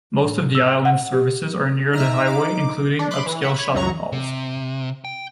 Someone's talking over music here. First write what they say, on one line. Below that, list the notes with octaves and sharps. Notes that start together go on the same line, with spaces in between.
Most of the island's services are near the Highway, including upscale shopping malls.
A2
E6
F#5
G4
D#4 E5 A#5 F6
D6
D4
B5 C6 D6 F#6
E3
E5 F#5
C#5 B5
C#2 F#2 F#3 A#5 C#6
C3
G5